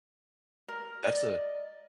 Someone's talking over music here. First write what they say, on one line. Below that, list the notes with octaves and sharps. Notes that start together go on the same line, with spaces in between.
That's a
A#4
D5 D#5